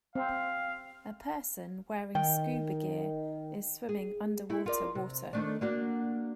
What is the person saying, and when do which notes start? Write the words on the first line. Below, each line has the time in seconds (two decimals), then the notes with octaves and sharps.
A person wearing scuba gear is swimming underwater water.
0.15 C4 F5
2.15 D#3 G5
3.89 G#4
4.49 A3 E4
4.66 F4 A#4 D5
4.95 C3
5.33 D#3 A3 D4
5.61 A#3 D4 F#4